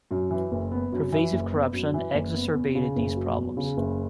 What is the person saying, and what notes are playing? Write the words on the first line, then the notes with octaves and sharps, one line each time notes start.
Pervasive corruption exacerbated these problems.
F#2
E3
F#1
B3
F#2
E3
F#1
B3
F#2
E3
F#1
B3
E2
C#3
F#1
F#3
E2
C#3
F#1